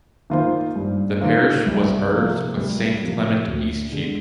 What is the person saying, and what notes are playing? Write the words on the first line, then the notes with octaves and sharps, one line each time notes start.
The parish was merged with Saint Clement Eastcheap.
D#3 A#3 F4 C5
G2
D#3 A#3 F4 C5
C2
C3 F3 A#3
C2
C3 F3 A#3
D2
D3 G#3